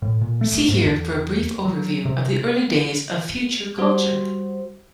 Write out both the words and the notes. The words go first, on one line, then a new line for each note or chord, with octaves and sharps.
See here for a brief overview of the early days of Future Culture.
A2
A#2
A3
G#2
E2
F#3
C3
G3 F#4 C5